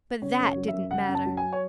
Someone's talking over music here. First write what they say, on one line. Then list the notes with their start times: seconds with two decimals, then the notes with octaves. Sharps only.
But that didn't matter!
0.22 C#3 C#5
0.39 F#2
0.44 C#5
0.56 F#3
0.68 F#2 E5
0.91 C#3 F#5
1.09 F#2
1.15 A5
1.25 F#3
1.37 G#5
1.53 C#5